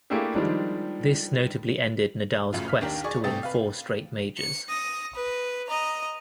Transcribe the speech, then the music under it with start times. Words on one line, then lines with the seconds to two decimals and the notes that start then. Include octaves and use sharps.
This notably ended Nadal's quest to win four straight majors.
0.10 A3 A#3 D4 E4 G4 G#4
0.35 D#3 F3 G3 G#3 D4
2.53 F#2 A2 C#3 F4
2.68 F6 B6
2.81 D#2 D#3 D4 G4 A#4
3.04 G#4 D5 C#6
3.24 A2 C3 G4 A4 D#6 A6
3.43 B4 F5
4.38 C#7
4.69 D#6 A#6
5.15 B4
5.68 D#5 A#5